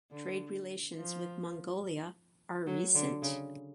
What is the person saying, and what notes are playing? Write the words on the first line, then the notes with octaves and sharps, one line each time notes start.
Trade relations with Mongolia are recent.
D3
F3
F#3
D3
C#3